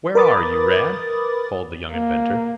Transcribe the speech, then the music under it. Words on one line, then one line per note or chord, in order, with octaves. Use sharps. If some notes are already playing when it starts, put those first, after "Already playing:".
"Where are you, Rad?" called the young inventor.
A#4 B4 B5 D6 D#6 A6
A#3